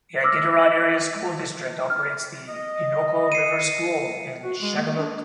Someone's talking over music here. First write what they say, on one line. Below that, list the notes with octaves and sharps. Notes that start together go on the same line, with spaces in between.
The Iditarod Area School District operates the Innoko River School in Shageluk.
D6 E6 F6 A#6
F6
D#5
C7 C#7 D#7
F#4
G#3
A#3
D4